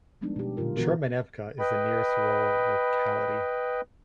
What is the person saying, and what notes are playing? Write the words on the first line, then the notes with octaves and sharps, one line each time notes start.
Chermenevka is the nearest rural locality.
F3 G3 G#3 B3 D4 D#4
B2 G4
A#2 D3 F#3 F4 A#4
B2 E3 B3 F#4 A#4
B4 D#5 G5 B5